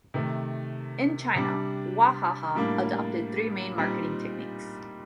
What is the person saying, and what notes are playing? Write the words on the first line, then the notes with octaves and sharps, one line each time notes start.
In China, Wahaha adopted three main marketing techniques.
C3 D#3 A3
C3 G3 D4
A2 G3 A#3 D4
A#2 G3 C4 D#4